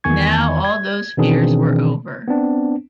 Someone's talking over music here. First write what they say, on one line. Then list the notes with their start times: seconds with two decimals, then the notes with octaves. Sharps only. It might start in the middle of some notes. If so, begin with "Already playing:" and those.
Now all those fears were over.
0.04 E2 D#3 G#5 C#6 G#6
0.65 G#6
1.17 B2 D#3 E3 C4 D4 G#4
2.28 B3 C4 D4